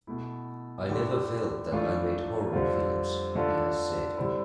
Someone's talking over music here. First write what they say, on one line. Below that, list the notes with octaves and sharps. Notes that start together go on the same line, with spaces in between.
I never felt that I made 'horror films', he has said.
B2 A3 E4
D3 A3 E4 G4
A2 E3 A3 D4 F4
F2 D3 G3 C4 F4
D3 A3 D4 F4 A4
D3 G3 C4 E4